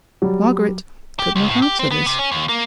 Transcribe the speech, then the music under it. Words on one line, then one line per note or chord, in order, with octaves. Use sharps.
Margaret could not answer this.
F#3 G3
G4
C#2
A2
G4
C4
B3
C3
C#4
D#2
A#3